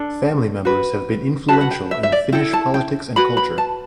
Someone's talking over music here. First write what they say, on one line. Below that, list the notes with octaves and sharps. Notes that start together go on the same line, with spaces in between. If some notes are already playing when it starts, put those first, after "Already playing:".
Family members have been influential in Finnish politics and culture.
Already playing: D4 A4
F#4 B4
F#4 B4 A5
F#5
G5
E5
E5
D5
E4 A4 G5
A5
G5
F#4 B4 B5
B5
A5